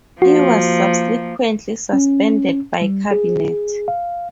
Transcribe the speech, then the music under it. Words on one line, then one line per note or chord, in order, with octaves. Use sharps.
He was subsequently suspended by Cabinet.
F3 A#3 F#4
C#4
G3
G#4
F5